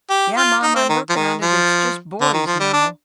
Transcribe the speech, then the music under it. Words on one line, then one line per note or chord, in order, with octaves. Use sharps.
Yeah, mom. I'm working on it. It's just boys now.
G4
F4
D#4
C4
D#3
F3
D#3
F3
D3
D#3
F3
G3
D4